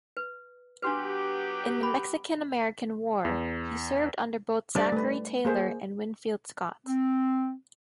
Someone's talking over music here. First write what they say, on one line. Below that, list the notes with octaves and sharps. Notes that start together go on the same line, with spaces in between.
In the Mexican-American War, he served under both Zachary Taylor and Winfield Scott.
B4
F#3 B3 D4 F#4 G4 B4
B5
E2
G3 D4 C5 D5 A5
A3 B4
A#3 G#4 C5
C4